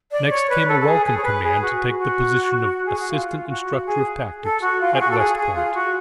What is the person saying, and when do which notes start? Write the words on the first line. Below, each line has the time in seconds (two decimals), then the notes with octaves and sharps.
Next came a welcome command to take the position of Assistant Instructor of Tactics, at West Point.
0.11 D5
0.30 C#5
0.50 B4
0.68 A4
0.80 A4
0.86 G#4
1.06 G#4
1.17 C#5
1.23 B4
1.43 G#4
1.62 F#4
1.99 F#4
2.86 G#4
2.99 F#4
3.11 F4
3.49 F#4
3.86 G#4
4.44 A4
4.61 F#4
4.81 F4
4.94 G#4
5.00 F#4
5.10 A4
5.18 G#4
5.37 G#4
5.55 F4
5.74 F#4